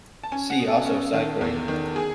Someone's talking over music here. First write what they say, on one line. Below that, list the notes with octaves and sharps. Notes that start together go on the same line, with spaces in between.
See also: sidegrade.
A5
C#4 G#5
F#5
B2
A4
C#4
D#3
E2
D#3
G#4